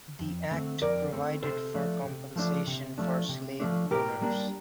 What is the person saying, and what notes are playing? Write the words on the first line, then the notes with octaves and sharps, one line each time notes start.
The Act provided for compensation for slave-owners.
F2
D3 A3 C4
F2 A#4 D5
D3 A3 C4
C3 A4 C5
F3 A3 D4
C3
F3 A3 D4
C3
F3 A3 D4
C3
F3 A3 D4
A2 G4 A#4
G3 A#3 D4